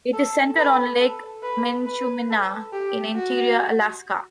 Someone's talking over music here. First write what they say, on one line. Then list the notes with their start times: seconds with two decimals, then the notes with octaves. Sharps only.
It is centered on Lake Minchumina in Interior Alaska.
0.13 A4
0.57 B4
1.00 A4
1.43 B4
1.86 B4
2.30 A4
2.73 G4
3.15 F#4